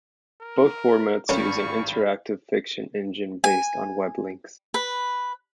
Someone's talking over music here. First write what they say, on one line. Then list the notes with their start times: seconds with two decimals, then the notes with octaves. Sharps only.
Both formats use an interactive fiction engine based on weblinks.
0.41 A#4
1.29 G#1 G2 D3 C#4 A#4 C#6
3.44 G#5
4.74 B4